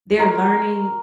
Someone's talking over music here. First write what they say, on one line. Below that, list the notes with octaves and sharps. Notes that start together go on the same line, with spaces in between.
They're learning
A#4 C6 C#6